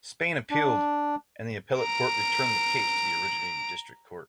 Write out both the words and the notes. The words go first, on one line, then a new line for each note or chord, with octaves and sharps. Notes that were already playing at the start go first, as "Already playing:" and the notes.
Spain appealed, and the appellate court returned the case to the originating District Court.
D4
A#5 D7